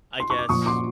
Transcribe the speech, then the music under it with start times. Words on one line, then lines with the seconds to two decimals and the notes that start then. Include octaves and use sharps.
I guess,
0.20 C6
0.30 C#6
0.39 D6
0.49 A#2 F3 C#6 D#6
0.66 C6 D6